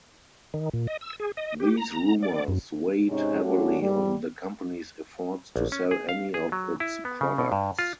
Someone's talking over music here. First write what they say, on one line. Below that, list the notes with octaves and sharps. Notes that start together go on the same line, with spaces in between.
These rumors weighed heavily on the company's efforts to sell any of its products.
D#3
A#2
D#5
E6
G#4
D#5
G4
A#5
D5
F#2
G#2 C3 G#3 C#4 D#4
G3 A3 C#4 D4 F#4
G#2 G3
A#1
C#4
G#4
F5
G#4
F#3
E4
B3
C#3
B2
G2
F4